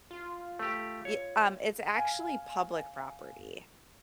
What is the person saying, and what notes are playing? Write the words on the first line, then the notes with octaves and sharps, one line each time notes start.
Ye um, it's actually public property.
F4
A3 G4
C#5
F5 G#5